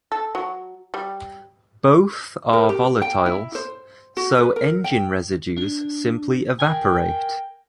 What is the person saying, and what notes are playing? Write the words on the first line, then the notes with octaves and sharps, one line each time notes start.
Both are volatiles, so engine residues simply evaporate.
A4
F#3
G3
A#4
G4
G5
E4
C5
F#4
B4
A#4
G5
D4
A#4 G5 G#5